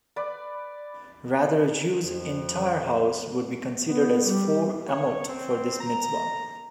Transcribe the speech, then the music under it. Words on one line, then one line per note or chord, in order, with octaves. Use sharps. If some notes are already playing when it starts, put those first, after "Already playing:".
Rather, a Jew's entire house would be considered as four "amot" for this mitzvah.
B4 D5
F2
B3
G3
C#5
C4
A#5